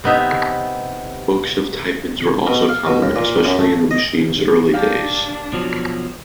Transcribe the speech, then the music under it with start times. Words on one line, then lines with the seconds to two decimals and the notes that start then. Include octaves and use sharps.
Books of type-ins were also common, especially in the machine's early days.
0.04 C3 B3 D#4 E5
2.47 B2
2.69 F5
2.87 B2
3.02 D#2
3.16 A#2
3.45 F#2
3.59 A3
3.91 D#5
4.74 A#3 D4 G4 F5
5.53 B2 F3 F#3